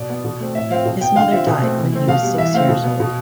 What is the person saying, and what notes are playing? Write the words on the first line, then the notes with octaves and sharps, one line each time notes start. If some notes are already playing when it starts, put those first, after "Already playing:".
His mother died when he was six years old.
Already playing: B2 D5
B3
B2
A3 C4
A2 E5
F3 A3 C4 F5
B2
B3 G5
D3 F5
F3 C4 E5
B2
A3 C4
E3
A3 C4
B2 F5
G3 B3
E3 E5
A3 C4 F5
B2
B3
B2